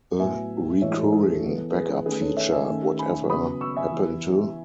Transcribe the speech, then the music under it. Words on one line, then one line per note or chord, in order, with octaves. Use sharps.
A recurring back-up feature Whatever Happened to...?
A2 F#3 B3 E5 G#5
A2 E3 G#3 C#5 E5
A4
G#4
A4
E3 B3
G#4 B4
D#3 A3 C#4 G#4 B4
A4 C#5
C#5 E5
E5 G#5
D#3 A3 C#4
G#5 B5
C#3 F#3 B3 B5 D#6
C#6 E6
E5 G#5
E3 B3